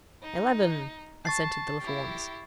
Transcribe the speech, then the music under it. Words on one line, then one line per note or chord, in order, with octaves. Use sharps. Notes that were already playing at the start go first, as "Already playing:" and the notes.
"Eleben!" assented the little ones.
D#4
A5 C#6 A6 C7
E4 G4